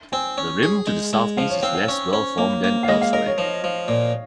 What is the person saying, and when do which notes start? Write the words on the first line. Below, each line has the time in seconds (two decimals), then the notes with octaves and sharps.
The rim to the southeast is less well-formed than elsewhere.
0.12 C4 G#5
0.38 C#4
0.63 G#4
0.87 G#3
1.13 G#3
1.37 F3 F5
1.50 C#5
1.63 C4 F5
1.75 F5
1.88 C#4 C#5
2.13 C#4 C5
2.38 A#3 C#5
2.64 A#3
2.83 F5
2.88 G#3 D#5
3.01 F5
3.13 A#4 D#5
3.26 C#5
3.38 F3
3.64 F3
3.88 A#2